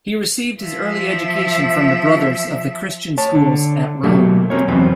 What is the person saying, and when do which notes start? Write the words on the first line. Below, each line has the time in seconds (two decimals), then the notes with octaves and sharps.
He received his early education from the Brothers of the Christian Schools at Rome.
0.60 F3 E5
3.18 C#5 A5
3.35 D3
4.03 B2 F#3 A3 A#3 G4
4.50 C4 C#4 D#4 A#4 C#5
4.68 E2 C3 F#3 C4 B4